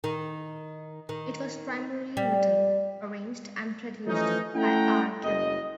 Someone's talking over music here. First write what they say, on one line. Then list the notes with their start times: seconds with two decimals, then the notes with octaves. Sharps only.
It was primarily written, arranged, and produced by R. Kelly.
0.04 D#3
1.09 D#3
2.17 G3
4.06 E3 F3 A3 C#4 D#4
4.54 A3 C#4 E4 F#5 G5 A#5
5.23 F#1 D#5